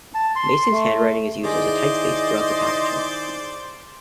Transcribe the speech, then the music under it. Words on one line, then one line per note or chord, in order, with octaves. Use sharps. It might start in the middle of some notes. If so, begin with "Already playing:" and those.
Mason's handwriting is used as a typeface throughout the packaging.
A5
C6
A3
D#3 E4 G#4 C5 D5 D#5